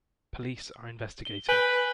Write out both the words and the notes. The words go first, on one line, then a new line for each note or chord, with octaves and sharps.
Police are investigating.
G7
B4 G#5 G6 G7